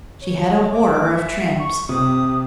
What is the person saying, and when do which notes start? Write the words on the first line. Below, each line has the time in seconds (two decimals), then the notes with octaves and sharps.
She had a horror of tramps.
0.22 C#5
0.72 D6
1.12 E5
1.59 C#6
1.89 C3 D#6